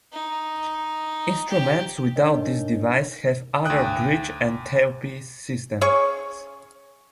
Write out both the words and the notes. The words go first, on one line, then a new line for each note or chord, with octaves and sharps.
Instruments without this device have other bridge and tailpiece systems.
D#4
G4
D4 D#4 A#4 C#5 D#5
D2 G5 D#6 F#6
C#4 G#4 C#5 C#6